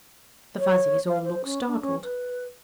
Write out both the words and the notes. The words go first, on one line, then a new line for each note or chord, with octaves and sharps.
The Fuzzies all looked startled.
C#5
F5
C5
C#4
D4
C#4
B4